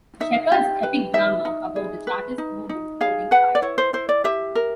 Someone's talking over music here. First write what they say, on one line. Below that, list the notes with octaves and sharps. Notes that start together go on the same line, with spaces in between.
Shepherd's epic drama about the Chartist movement, Holding Fire!
D#4 E5
G4
B4
D#4 E5
D#4
G#4
B4
D#4
D#4
G#4 F5
B4 F#5
D5
E4 C#5
C5
E4 C5
D5
G4 E5
A#4